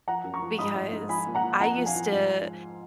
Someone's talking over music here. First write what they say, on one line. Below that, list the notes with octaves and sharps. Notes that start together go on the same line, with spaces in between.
because I used to
F3 F#5 A#5
F#2
A#5 C#6
F3
G#2 B5 D#6
G#2
G#2
F3 G#5 B5
A#2
F#5 A#5
F3
F2 F#5 A#5
F3
F5 G#5
F3
G#2